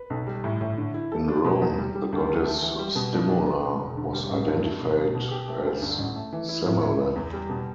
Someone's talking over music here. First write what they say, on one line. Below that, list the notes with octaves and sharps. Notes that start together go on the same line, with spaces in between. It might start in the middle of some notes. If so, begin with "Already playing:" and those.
In Rome, the goddess Stimula was identified as Semele.
Already playing: B4
B1
G3
A2
A2
D3
E4
A4
D4
B2
E2
G3
G3
D2
D2
A3
E3
G3
B2
D4
D4
B3
B2
E1
D3
G3
A1
G2
A3
B1
B1
B2
G4
A3
D2
G2
A1
A3
E3
E4
A2
E4
B3
E2
G3
B2